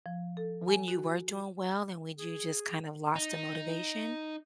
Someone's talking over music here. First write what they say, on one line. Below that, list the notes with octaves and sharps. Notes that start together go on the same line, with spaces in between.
when you were doing well and when you just kind of lost the motivation?
F3
A4
G#5
F#4
G#4
D#4